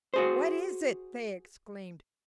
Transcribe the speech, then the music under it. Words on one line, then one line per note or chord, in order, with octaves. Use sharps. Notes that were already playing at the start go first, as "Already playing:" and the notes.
"What is it?" they exclaimed.
F#4 G#4 C5